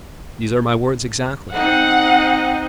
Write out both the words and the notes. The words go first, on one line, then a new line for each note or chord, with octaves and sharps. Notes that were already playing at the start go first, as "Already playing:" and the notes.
"These are my words exactly."
C4 D#4 F#5